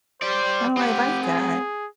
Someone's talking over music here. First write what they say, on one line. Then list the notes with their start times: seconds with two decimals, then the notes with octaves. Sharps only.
Oh, I like that.
0.22 G4 C5 D5
0.77 C4 G4 F#5
1.23 G#4